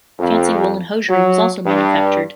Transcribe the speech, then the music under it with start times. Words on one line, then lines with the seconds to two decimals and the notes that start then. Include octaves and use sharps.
Fancy woolen hosiery was also manufactured.
0.18 F2
1.07 F#3
1.65 G2